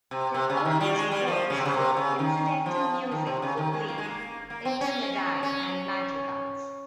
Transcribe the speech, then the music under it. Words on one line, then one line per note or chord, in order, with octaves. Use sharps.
His earliest works were incidental music for plays, "intermedi" and madrigals.
C3
C3
C#3
D#3
G3
G#3
G3
F3
C#3
C3
C#3
C3
C#3
D#3
F3
D#3
C3
C#3
D#3
G#3
A#3
G#3
A#3
A#3
C4
C#4
C#4